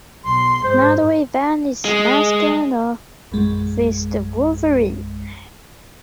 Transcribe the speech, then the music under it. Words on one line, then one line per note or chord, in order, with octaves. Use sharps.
Nodaway Valley's mascot of is the wolverine.
B1 C6
G#2 C5
G#3
A#1 F#2 G#3